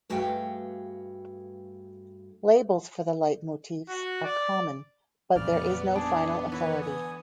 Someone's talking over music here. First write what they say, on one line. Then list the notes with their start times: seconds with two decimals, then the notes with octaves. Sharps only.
Labels for the leitmotifs are common, but there is no final authority.
0.10 G2 A3 F#4 G#4 F5 G5
3.89 F#4
4.24 D5
5.36 F2 A#2 C#3 B3 D5 F6
5.96 D4 G#4
6.52 D3 E3 B4 C#5
6.82 D3 G#5 D#6